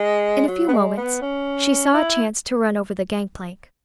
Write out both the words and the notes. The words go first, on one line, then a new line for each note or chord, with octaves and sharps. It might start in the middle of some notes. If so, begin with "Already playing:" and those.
In a few moments she saw a chance to run over the gangplank.
Already playing: G#3
F#3
B3
G#3
B3
C#4
E4